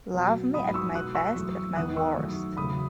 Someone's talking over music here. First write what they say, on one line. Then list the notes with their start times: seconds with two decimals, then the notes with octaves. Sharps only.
Love me at my best and my worst.
0.14 B2 F#3 B3
0.54 G#2 F#3 B3 B5 D#6
0.74 C#6 E6
0.94 B2 G#3 B3 D#6 F#6
1.15 C#6 E6
1.35 F#2 E3 A3
1.76 E2 D#3 G#3 B3 D#6 F#6
1.96 C#6 E6
2.17 F#2 D#3 F#3 A3
2.57 E2 C#3 F#3 A3 B5 D#6